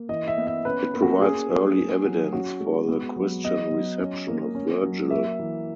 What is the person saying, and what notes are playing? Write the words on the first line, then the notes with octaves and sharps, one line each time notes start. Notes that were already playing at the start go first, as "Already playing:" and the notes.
It provides early evidence for the Christian reception of Virgil.
Already playing: A#3
E3 D#5
E5
B3
E5
C#4 B4
A#3
F#4
C#4 G#4
F#3
A#3
F#3
C#4 F#4
G#3
B3
F#3
B3 D#5
F#3
C#4
A#3
C#4
F#3
A#3 E5
E3